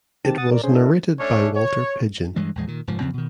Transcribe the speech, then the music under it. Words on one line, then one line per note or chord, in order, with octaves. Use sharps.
It was narrated by Walter Pidgeon.
D#3 C4 G4 A5
F#5 D#6 A6
A#4 D5
C#4 G#4 C5
D4 E4 A4 A#4
A3 C#4 D4 C#5
C#5
G2 E3 G#3
A#1 E2 G#3
A#2 D#3
F1 G#2 F3
E2 C#3 F3 C4
B2 D#3